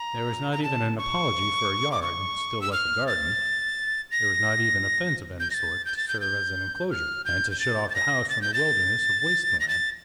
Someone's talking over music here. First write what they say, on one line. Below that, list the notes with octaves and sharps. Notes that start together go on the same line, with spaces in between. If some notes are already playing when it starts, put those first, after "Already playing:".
There was not even an apology for a yard, still less a garden,--there was not even a fence of any sort, to serve as an enclosure, and to shut off the house from the wilderness of waste land.
Already playing: A#5
A#5
A5
C#6
D6
C#6
E6
F6
A6
A#6
G6
A#6
A6
G6
A6
G6
G6
F6
G6
G6
A6
A6
A#6
A6
G6
A6
A#6
A6